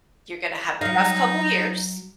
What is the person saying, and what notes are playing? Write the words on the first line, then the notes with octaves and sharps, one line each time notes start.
you're gonna have a rough couple of years"
F#3 D#4 F5